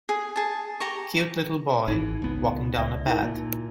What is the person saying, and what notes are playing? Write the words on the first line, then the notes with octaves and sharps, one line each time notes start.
Cute little boy walking down a path.
G#4
G#4 A5
G4 A#5 C#6
G#1 E3 D#4
C#2 B3
C#2 D5 E5
D#4 E4 A#4
A#2